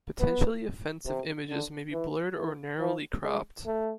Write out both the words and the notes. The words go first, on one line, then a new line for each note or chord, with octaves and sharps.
Potentially offensive images may be blurred or narrowly cropped.
B3
C3
D3
E3
E3
F3
G#3
A3